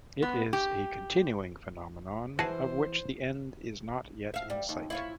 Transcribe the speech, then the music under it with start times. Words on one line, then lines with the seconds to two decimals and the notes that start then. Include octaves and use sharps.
It is a continuing phenomenon of which the end is not yet in sight.
0.22 B3
0.53 G4
2.39 E3 F#4 G#4 C5 A5
4.34 E5 F5
4.50 G3
4.69 D#2
4.90 E4 F4 C#5